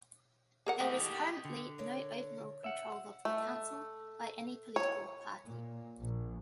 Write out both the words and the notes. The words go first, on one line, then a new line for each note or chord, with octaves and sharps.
There is currently no overall control of the council by any political party.
G#4 A#4 F#5
A3 G4 D#5
D3
A#4 C#5 D5
E5 F#5
A3
C#5
A#2
A#1